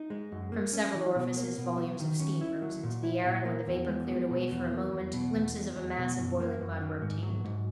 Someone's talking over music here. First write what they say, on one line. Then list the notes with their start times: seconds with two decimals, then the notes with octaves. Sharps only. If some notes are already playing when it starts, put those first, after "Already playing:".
From several orifices volumes of steam rose into the air, and when the vapor cleared away for a moment glimpses of a mass of boiling mud were obtained.
Already playing: D#4
0.10 G#3
0.32 F#2
0.52 A#3
0.73 C#4
0.95 E3
1.16 B2
1.36 A#3
1.58 B2
1.77 F#3
2.00 D#3
2.20 C#4
2.41 E4
2.62 F#3
2.83 A#2
3.03 E4
3.25 A#2
3.45 A#3
3.67 E2
3.88 G#3
4.08 B3
4.30 B2
4.51 E2
4.71 A#3
4.93 E2
5.13 B2
5.35 E2
5.56 G#3
5.76 E2
5.98 B2
6.18 F#2
6.40 A#3
6.61 F#2
6.81 D#3
7.02 G#2
7.23 F#3
7.44 G#2